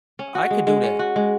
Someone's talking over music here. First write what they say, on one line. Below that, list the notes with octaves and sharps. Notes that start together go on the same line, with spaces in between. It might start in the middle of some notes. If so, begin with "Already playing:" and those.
I could do that,
C#4
F#4
G#3
G#3
C#4
F#4
G#3